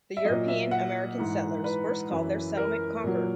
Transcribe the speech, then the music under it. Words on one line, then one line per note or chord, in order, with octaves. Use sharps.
The European-American settlers first called their settlement Concord.
E5
A#2 F#3 D#5
E5
F#5
G#2 E3
B4
F#2 E3
A#4
A#2 F#3